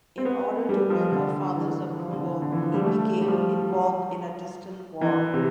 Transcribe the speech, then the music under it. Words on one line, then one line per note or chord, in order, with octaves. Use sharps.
In order to win her father's approval, he became involved in a distant war.
C4
B3
G3
F3
D3
E3
F3
D3
E3
D3
E3
F3
G3
A3
G3
F3
E3
C3